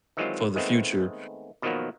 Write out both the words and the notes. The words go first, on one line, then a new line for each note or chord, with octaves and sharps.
for the future
D#3 E3 F#3 G#3 C4 F4
D#3 G#3 A3 B3 C4
B2 D#3 F3 F#3 A#3 B3